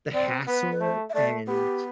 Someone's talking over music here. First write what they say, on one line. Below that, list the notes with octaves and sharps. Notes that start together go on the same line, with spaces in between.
the hassle and
C4 D5
B3 B4
B4
A3 C5
E5
A3 D5
B3 G4